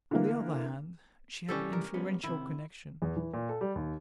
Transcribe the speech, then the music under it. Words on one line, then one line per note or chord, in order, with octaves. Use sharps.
On the other hand, she had influential connections.
D3 E3 A#3
C2 E3 G3 C#4 G4 A4
A#4
G3 B3 C#4
C3 D#3 E4
E2
E3
A#2
A4
G3
D#2